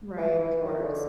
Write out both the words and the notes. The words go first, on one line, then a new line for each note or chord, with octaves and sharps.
Right, of course.
E3
E3
D#3
C#3
D3